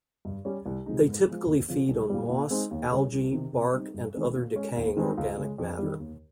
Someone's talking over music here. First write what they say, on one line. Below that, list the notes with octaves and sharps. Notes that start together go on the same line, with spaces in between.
They typically feed on moss, algae, bark and other decaying organic matter.
G2
G3 C#4
C2
C3 F3 G#3 D#4
G#2
F3 G#3
D#2
C#3 F3 C4
C2
A#2 G3
A#2
G#3 C4 D#4
D#2
C#3 G3 C#4
C2
C3 D#3
C3
G3 C4 D#4
G2
D#3 G#3 C4
A#2
G#3 C#4
D#2
D#3 G#3 C4 D#4
C#2
C#3 G#3
F2
D#3 G3
D#2